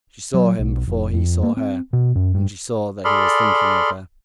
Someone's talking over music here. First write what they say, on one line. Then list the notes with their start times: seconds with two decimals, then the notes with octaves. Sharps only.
She saw him before he saw her, and she saw that he was thinking of her.
0.34 F#3
0.59 B1
0.88 F1
1.13 F2
1.43 A#3
1.57 C4
1.93 B2
2.15 F#2
2.34 G2
3.05 G#4 A4 D5 B5 C6 F6